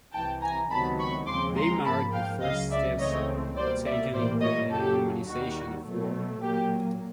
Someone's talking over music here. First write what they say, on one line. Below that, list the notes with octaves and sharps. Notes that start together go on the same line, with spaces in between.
They mark the first steps taken in the humanization of war.
C2 C3 E3 G5 A5
G#5 A#5
C#2 C3 D#3 F#3 B3 A5 B5
B5 C#6
D#2 C#3 F3 G#3 C4 C6 D6
A#5 C6
G#2 F3 A#3 A5 B5
F5 G5
C#2 C#3 F#3 D#5 F5
D5 E5
C#2 C#3 E3 A3 C4 C#5 D#5
B2 G3 A#3 C5 D5
D5 E5
A2 E3 G3 A#3 C5 D5
C#5 D#5
F#2 C#3 F#3 G4 A4
D#2 D#3 G3 F#4
B2 F#3 A3
A#2 F#3 A#3 G4